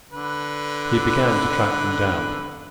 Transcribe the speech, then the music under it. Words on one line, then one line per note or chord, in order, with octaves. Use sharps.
He began to track them down.
D3 B4